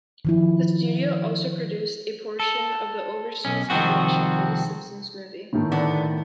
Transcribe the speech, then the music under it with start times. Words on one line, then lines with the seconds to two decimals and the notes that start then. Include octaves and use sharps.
The studio also produced a portion of the overseas animation for "The Simpsons Movie".
0.25 D#3 F3 E4
2.40 A4
3.45 B1 C#4
3.70 C2 D#3 F3 C4 F#4
5.53 A2 D#3 A3
5.72 D3 B3